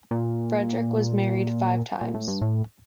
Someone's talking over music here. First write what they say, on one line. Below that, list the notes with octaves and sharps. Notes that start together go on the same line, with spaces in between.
Frederick was married five times.
A#2
A#2
A2
G2
A2